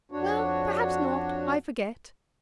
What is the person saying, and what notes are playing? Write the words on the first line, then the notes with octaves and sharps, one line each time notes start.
'Well, perhaps not--I forget.
F2 D4 F#4 C#5